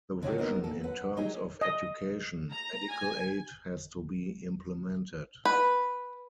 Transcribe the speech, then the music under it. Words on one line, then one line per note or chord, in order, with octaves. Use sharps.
The vision in terms of education, medical aid has to be implemented.
D3 D#3 F#3 C#4 F#4 G4
D#2 B3 D#4 A#4
A#2 A4
F#2 B4 F#5
F#3 D#4 G4 G#4
D#5
A#5
G#5
B4